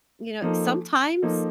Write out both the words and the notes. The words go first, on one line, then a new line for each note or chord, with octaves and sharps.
you know, sometimes
F3 A#3 D#4 A4
F3 A#3 D#4 A4